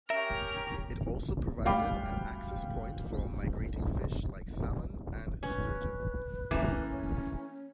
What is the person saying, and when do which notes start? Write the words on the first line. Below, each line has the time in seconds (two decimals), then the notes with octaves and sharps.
It also provided an access point for migrating fish like salmon and sturgeon.
0.10 C#4 G4 A#4 E5 F6 F7
1.65 D2 G3 F5 G5 B5 D6
5.43 C#4 B4
6.51 E3 A3 A#3 C#4
6.92 C#5